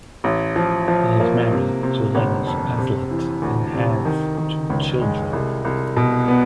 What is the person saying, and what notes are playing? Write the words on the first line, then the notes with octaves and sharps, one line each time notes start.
He is married to Lenis Hazlett and has two children.
A1
F3
F3
A#3
C3
C3
G1
F2
C3
E3
D2
C3
D#3
D#3
C#2
G#3
C2
C2
B2
B3